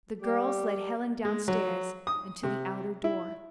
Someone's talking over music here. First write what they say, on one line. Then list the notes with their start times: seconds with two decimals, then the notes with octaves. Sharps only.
The girls led Helen downstairs and to the outer door.
0.22 G3 G4
1.25 G#3
1.48 F#3
2.07 D#6
2.43 C3
3.04 E4